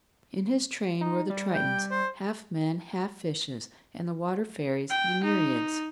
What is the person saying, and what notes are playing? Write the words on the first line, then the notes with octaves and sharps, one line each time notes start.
In his train were the Tritons, half men, half fishes, and the water fairies, the Nereids.
D#4
G3
G5
C5
G5
D#4